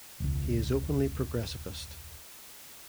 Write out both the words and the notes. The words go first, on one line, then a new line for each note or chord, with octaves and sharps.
He is openly progressivist.
E1 C#2